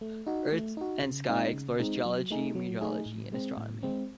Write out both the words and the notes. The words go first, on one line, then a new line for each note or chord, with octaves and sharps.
Earth and Sky explores geology, meteorology and astronomy.
A3
D#4 F#4
A3
D#4 F#4
C#3
G#3 C4 D#4
C#3
G#3 C4 D#4
F#3
A3 D#4 G#4
F#3
A3 D#4 G#4
A2
G#3 C4
A2
G#3 C4